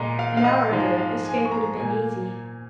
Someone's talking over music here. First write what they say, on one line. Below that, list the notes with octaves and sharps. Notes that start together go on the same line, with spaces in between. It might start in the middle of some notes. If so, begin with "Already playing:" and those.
An hour ago escape would have been easy.
Already playing: A#2 G#3 D#5 A#5
F5
F5
D#5
G#2 F3 G#3 F5
F5
G#5
C#6
A#5
A#2 A#3 G#5